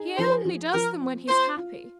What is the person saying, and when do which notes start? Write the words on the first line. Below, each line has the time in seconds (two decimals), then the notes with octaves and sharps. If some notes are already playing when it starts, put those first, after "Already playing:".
He only does them when he's happy.
Already playing: D#4 G#4
0.17 F3 C5
0.45 F3
0.73 F3 A#4
1.01 C4
1.29 F4 C5
1.57 F4